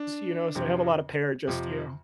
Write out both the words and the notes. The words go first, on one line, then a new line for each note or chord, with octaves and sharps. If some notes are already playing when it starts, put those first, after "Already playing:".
s you know, so I have a lot of pair just, you know,
Already playing: D4
F2 C3 F3
F2 C3 F3